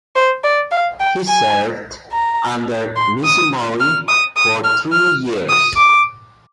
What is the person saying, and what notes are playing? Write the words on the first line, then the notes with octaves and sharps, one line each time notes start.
He served under Mizumori for three years.
C5
D5
F5
G5
G#5
A#5
C6
D#6
F6
D#6
D#6
F6
F6
D#6
D6